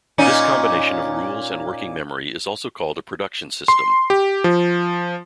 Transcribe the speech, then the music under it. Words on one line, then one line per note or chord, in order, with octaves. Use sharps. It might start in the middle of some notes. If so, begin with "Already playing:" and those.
This combination of rules and working memory is also called a production system.
A#2 C#4 D#4
C6
G4
F3